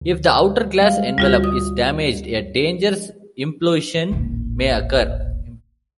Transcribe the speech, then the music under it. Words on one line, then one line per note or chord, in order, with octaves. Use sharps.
If the outer glass envelope is damaged, a dangerous implosion may occur.
D2
G3 G#3 F5
D2 G3 F4 F#4
D#6
D#1 A1